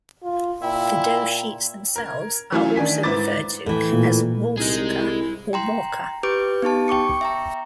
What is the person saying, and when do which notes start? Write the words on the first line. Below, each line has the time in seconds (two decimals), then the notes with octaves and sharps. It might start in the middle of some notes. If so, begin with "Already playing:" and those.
The dough sheets themselves, are also referred to as walsouka or warka.
0.23 F4
0.62 A#2 E4 G5
1.96 A#4 G#6
2.52 E3 F#3 A3 C#4 E4 F4
2.76 D#3 D4 G#5 B6
3.03 G#2 E4 B4 C5 D6 A6
3.66 A2 E3
3.93 A#2
4.57 C2 D#4 G#4 D#5
5.01 E4
5.53 G5 A#5 C6
6.23 G4 B4 D6 G6 D7
6.62 B3 D#4 G4 A5
6.88 G5 C#6 D6 C#7
7.21 E5 G5 A#5